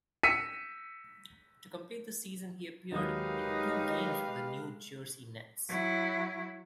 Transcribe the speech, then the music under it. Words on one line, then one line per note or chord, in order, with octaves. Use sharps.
To complete the season he appeared in two games with the New Jersey Nets.
E6 B6 C#7 D#7
D#2 F#3 G#3 D#4 G4 B4 F5 D#6
F#3 E4